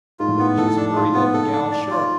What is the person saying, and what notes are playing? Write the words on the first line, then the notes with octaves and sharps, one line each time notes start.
"She's a purty leetle gal--shore."
G#2 F4
A2
G#2 B3
A2 A4
D4
G#2 F4
B3
A4
D4
D5
F4